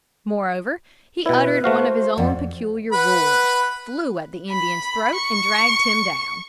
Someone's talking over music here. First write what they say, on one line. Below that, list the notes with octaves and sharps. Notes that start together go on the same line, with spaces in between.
Moreover, he uttered one of his own peculiar roars, flew at the Indian's throat, and dragged him down.
B2 E4 B4
A3 F#4 C5 F5
F2 D5 F#5
B4 F#5 B5
B5
C#6